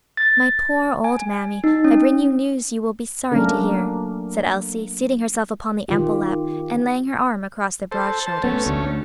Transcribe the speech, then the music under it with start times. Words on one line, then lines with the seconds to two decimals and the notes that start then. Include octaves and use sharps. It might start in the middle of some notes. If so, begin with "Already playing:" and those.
"My poor old mammy, I bring you news you will be sorry to hear," said Elsie, seating herself upon the ample lap, and laying her arm across the broad shoulders.
0.17 A6
1.04 G#5
1.64 D#4
1.84 C#4
3.32 F#3 A3 A#3 C#4 D4 A#4
5.88 D#3 F4 G4
7.92 A4 C5
8.27 C5 A5
8.44 A3 B3 C#4
8.66 D2